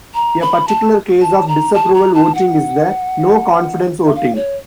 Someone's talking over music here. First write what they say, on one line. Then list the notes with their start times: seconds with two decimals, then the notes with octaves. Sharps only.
A particular case of disapproval voting is the no-confidence voting.
0.15 A#5
0.41 B5
0.68 A5
1.21 A5
1.48 A#5
1.74 A5
1.94 A#5
2.14 A5
2.35 F#5
4.06 E5
4.15 F5
4.35 C#5